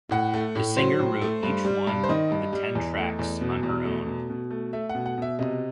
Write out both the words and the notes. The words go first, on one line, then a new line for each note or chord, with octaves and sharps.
The singer wrote each one of the ten tracks on her own.
A2 F#5
A3
A2
F#3 C5
A2
A3
G2
G3
G2
C5
D#3 D#5
G2
G3
E2
A3
E2
B2
E2
A3
B2
B2
A3
A3 E5
F#5
B2
F#5
B2 E5
C3 D#5